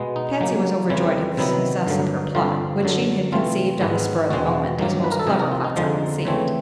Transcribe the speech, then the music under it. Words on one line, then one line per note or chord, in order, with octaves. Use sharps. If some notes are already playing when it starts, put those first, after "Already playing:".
Patsy was overjoyed at the success of her plot, which she had conceived on the spur of the moment, as most clever plots are conceived.
Already playing: B2 G#3 B3
D#4
C#3 F#3 A#3
F2 C#3 E3 G3 C4
C3 D#3 F#3 B3 E4
G2 D3 F#3 A#3
G2 D3 G3 C4 F4
F#2 D3 F#3
C3 E3 A3 C4 F4
G#2 D#3 G#3 B3
E2 B2 G#3 C4 F#4
G2 D#3 F#3 A#3
B4
A#4
A4
C3 F3 A#3 G#4
A#4
F4
D#4
F2 D3 F3 G#3
F2 C#3 E3 A3 C4